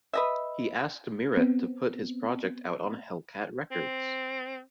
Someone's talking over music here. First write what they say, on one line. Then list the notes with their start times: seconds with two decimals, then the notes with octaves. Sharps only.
He asked Miret to put his project out on Hellcat Records.
0.13 B4 D#5 E5
1.37 B3 C4
3.71 C4